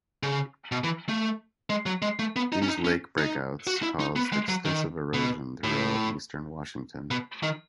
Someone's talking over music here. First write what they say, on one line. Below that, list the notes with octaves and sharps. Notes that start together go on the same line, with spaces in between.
These lake breakouts caused extensive erosion throughout eastern Washington.
C#3
B2
E3
A3
G#3
F#3
G#3
A3
B3
D#4
C#4
D#4
C#4
D#4
F#4
E4
D#4
B3
G#3
F#3
D#3
B2
A2
B2
D#3